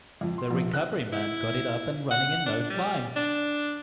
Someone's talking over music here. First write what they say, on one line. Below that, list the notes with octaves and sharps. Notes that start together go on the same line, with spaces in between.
The recovery man got it up and running in no time.
F2
C6
A#1
F#6
E4
F#5
D4
G3
D4